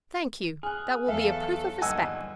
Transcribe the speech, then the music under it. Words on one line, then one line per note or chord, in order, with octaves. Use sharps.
"Thank you; that will be a proof of respect."
G#4 F6 F#6
E2 F#3 B3 A4 E5 F5
G1 D#2 D#5 F#5 G#5 E6